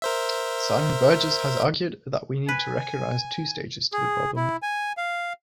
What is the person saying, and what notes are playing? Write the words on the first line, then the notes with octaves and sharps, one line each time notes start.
Simon Burgess has argued that we need to recognize two stages to the problem.
A#4 C5 E5
B4 G#5
G#4
E4
G#5
F5